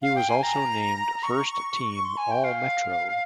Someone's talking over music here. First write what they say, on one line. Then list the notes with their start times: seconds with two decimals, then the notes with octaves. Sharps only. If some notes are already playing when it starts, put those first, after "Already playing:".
He was also named First Team All-Metro.
0.02 F5
0.16 G5
0.29 G#5
0.43 A#5
1.23 C#6
2.05 C6
2.17 G#5
2.31 G5
2.44 F5